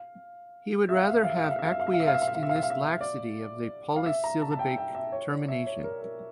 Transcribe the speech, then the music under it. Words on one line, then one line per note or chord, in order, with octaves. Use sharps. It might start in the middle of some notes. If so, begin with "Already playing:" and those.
He would rather have acquiesced in this laxity of the polysyllabic termination.
Already playing: F5
E5
F5
E5
F5
E5
F5
E5
F5
E5
F5
E5
F5
E5
F5
E5
F5
E5
F5
E5
F5
E5
F5
E5
F5
E5
F5
E5
D5
F5
E5
A#5
A5
A5
G5
G5
E5
C#5
D5
E5
C#5
A#4
A#4